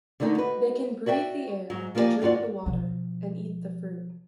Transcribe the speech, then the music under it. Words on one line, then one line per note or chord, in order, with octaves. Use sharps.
They can breathe the air, drink the water and eat the fruit.
D3 D#3 A3 C4 D#4
F#4 B4
F#4 D5 E5 F5 G5
G#2 F#3
F3 A#3 G4 A4 D5 G#5
D#2 G#2 F4 F#4 D5
B2 F3